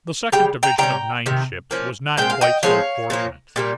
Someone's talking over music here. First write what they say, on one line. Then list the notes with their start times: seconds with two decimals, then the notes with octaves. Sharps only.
The second division of nine ships was not quite so fortunate.
0.32 C#3 G3 G5
0.63 G5 A#5
0.78 C3 G3 C#4 G5 A#5
1.26 C3 D#3
1.71 F3 A#3 C#4
2.17 A#2 G#3 C4 G5
2.30 F5
2.41 D#5 G5
2.63 F3 G#3 C4 C#5 F5
3.10 A#2 F3 A#3
3.56 A#2 G3 A#3